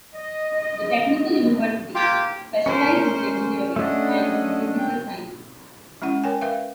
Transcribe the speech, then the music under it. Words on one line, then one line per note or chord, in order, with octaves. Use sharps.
The "technical universities" specialize in engineering and the physical sciences.
D#5
A#3 F4 G4
C#4 A#4 C5
A3 C#4 D4 D#5 F#5
G5
G#3 C#4 E4 F#5
A#4 C#5 G5 G#5
A#4 B4 E5 F5